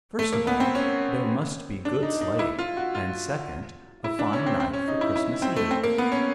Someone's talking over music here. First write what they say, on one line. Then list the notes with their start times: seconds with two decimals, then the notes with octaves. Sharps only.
First of all there must be good sleighing,--and second, a fine night for Christmas eve.
0.19 A3
0.33 A#3
0.47 B3
0.60 C4
0.75 C#4
1.85 D4
2.03 D#4
2.21 D#4
2.39 E4
2.59 F4
2.77 F#4
2.95 F4
4.04 E4
4.19 D4
4.33 C#4
4.46 C4
4.60 C4
4.73 C#4
4.88 D#4
5.01 E4
5.16 E4
5.42 C4
5.56 A3
5.71 C4
5.83 A#3
5.98 B3
6.12 C#4